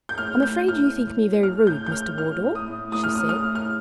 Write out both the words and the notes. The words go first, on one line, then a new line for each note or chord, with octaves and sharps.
"I am afraid you think me very rude, Mr. Wardour," she said.
G6
A2 F6
A2 G6
A2 F6
A2
A2
A2 F6
A2 G6
G6
A2 F6
A2 F6
A2
D#6
A2
A2 D#6
F6
A2 D#6
F6
A2
F6